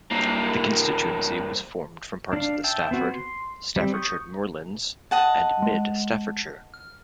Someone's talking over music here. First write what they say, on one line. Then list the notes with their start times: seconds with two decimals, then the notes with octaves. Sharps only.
The constituency was formed from parts of the Stafford, Staffordshire Moorlands and Mid Staffordshire.
0.11 G2 A#3
2.33 D4 F5
2.64 E5 G5 A5
2.91 B3 C4 F#4
3.14 C6
3.76 G3 C4
3.94 C#6 D#6 G6
5.11 D#5 F#5 A5
5.62 G#3
6.74 F6